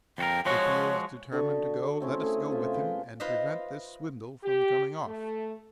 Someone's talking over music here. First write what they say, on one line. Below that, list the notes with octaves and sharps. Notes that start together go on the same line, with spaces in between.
If he is determined to go let us go with him and prevent this swindle from coming off.'
F2 F#4 A#4 G5
F3 G#3 F#4 C#5
D3 F#4 D#5 C#6
A3 C4 C#4 E4
A3 G#4
C3 F4 E5
G#4 B4 C5 G5
F4 B4 C5 D#5 E5
G4
A3